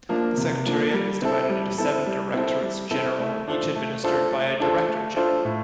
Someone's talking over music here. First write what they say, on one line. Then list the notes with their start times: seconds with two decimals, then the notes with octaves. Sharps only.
The Secretariat is divided into seven directorates-general, each administered by a director-general.
0.09 F3 A#3 D4
0.37 C3
0.66 F3 A#3 D4
0.93 G3
1.22 C4 E4 A4
1.50 G3
1.78 C4 E4 A4
2.06 G3
2.34 C4 E4 A4
2.62 G3
2.91 C4 E4 A4
3.19 A3
3.48 D4 F4 A4 C5
3.76 A3
4.04 D4 F4 A4 C5
4.32 A3
4.60 D4 F4 A4 C5
4.88 A3
5.16 D4 F4 A4 C5
5.45 A2